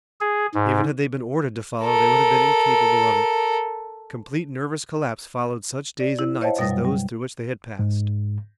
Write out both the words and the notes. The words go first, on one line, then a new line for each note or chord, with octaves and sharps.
Even had they been ordered to follow they would have been incapable of it. Complete nervous collapse followed such days and nights as those through which they had passed.
G#4
G#2
A4 A#4
D5
E4
C5 C#5 D#5 F5 G5 A5
F#2 B2 G3 D#6 A6 A#6
F#3
G3
G#2